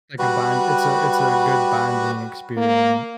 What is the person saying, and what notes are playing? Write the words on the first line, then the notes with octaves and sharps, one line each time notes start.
Like a bond it's a it's a good bonding experien
G3 F#4 B4
A#3